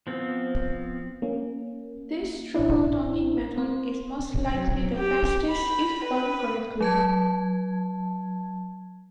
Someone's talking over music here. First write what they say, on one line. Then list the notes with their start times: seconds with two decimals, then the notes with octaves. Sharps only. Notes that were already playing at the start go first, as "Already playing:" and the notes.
This triple tonguing method is most likely the fastest if done correctly.
0.07 F3 B3 C4
1.22 A#3 C#4
2.54 A1 C#4 D4 E4
3.58 C4
4.48 F#3
4.95 G4
5.49 B5
6.05 B4
6.81 F#3 A5 G#6